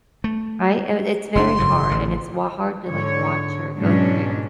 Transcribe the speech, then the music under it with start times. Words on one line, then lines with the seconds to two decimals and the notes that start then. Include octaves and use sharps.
Right? Uh, it's very hard, and it's wa hard to, like, watch her go through it 'cause
0.24 A3
1.35 F#1 C4 D4 C6
1.58 F#1 G#2 C#3
1.89 A1 D3
2.89 G#2 D3 C#5
3.78 G#2 B2 F#3 C#4 D4